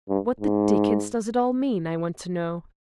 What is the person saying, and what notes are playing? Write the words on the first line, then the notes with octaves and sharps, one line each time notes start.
What the dickens does it all mean, I want to know?
G2
G#2